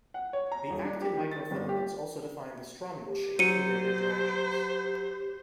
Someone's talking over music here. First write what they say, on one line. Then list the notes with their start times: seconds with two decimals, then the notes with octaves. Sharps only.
The actin microfilaments also define the stromule shape through their interactions.
0.14 F#5
0.33 C#5
0.52 A#5
0.70 D#1
0.84 D4
1.02 G4
1.17 D#3
1.31 A6
1.51 G1
1.69 G4
3.05 G4
3.39 F#3 C5 C#7 D#7